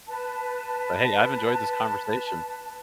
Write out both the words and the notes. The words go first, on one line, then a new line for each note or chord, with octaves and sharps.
But, hey, I've enjoyed this conversation.
B4 A5